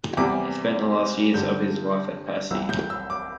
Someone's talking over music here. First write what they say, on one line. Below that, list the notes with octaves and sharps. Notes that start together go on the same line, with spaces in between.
He spent the last years of his life at Passy.
E2 C3 E3 G3 D6
G2 D3 G3 G6
C2 C3 E3 E6
G6
E6
D6